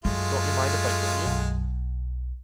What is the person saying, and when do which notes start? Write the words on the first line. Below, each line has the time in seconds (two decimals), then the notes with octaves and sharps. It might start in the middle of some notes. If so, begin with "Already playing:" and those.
Don't you mind if I join you?
0.05 F#2 G#3 A3 F4
1.26 B1